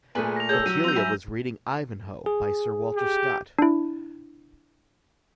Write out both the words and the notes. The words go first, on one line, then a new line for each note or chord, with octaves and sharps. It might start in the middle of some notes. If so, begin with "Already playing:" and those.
Otelia was reading "Ivanhoe" by Sir Walter Scott.
A#2 A3 G#4 B4 G#5
A#6 F7
G#4 A4 C#5 E6 G6
F#3 G4 D#7
C4 E6 G6 F7
F#3 E4 G#5 B5
G#4
G4
D4 E4